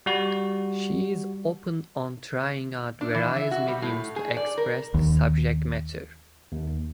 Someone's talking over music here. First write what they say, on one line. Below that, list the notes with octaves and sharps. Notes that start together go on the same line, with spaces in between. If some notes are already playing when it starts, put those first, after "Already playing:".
She is open on trying out various mediums to express the subject matter.
G3 F#4
D4
E3
E5
F#4
G3
A2
G#4
D5
A#4
D#2
D#2